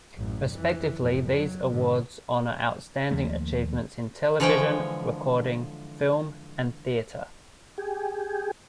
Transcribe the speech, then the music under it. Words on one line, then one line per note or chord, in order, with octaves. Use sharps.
Respectively, these awards honor outstanding achievements in television, recording, film, and theater.
A1 F#2
F2 E3
F2 A2
F#3
G#2 D3
D#2 F3 A3 A#3
D3 E3 F3 G#3 C#5 G5
G4 G#4